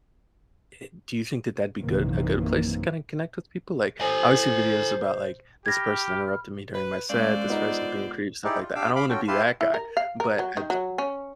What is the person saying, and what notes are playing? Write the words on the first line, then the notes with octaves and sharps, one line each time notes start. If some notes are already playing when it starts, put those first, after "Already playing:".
eh do you think that that'd be good a good place to kinda connect with people? Like, I always see videos about, like, this person interrupting me during my set, this person's being creep stuff like that, I don't wanna be that guy. But I'd j
A#1 F#2 C3 D#3 E3 A#3
A4 C5 G#5
G4 B5 F6 G#6 A#6
B4
D3 G#3 C#4 C5 D5 F5
G#3 B3 D#4 F4
D#4 E4 G4 G#4 D5
F4
D4 G4 F5 D6 E6
F5 B5 D6
C#4 F4 F#4 A4 G5
E4 G4 B4 F5 A5 C6
E4
A#4
F5
A#4
F#3
D#3
F#3
C#4